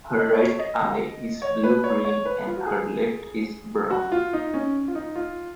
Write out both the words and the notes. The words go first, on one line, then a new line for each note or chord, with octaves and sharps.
Her right eye is blue-green and her left is brown.
D#5
C#5
D#5
C#5
B4
C#5
C#5
B4
F4
F#4
G#4
F#4
F4
D#4
C#4
F4
D#4
F4